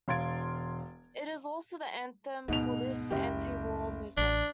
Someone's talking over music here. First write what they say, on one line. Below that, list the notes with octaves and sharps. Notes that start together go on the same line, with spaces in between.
It is also the anthem for this anti-war movement.
E1 F5 C6 G#6 A6 D7
D2 G#2 B2 F7
F#1 C#2 G4
A1 E3 D4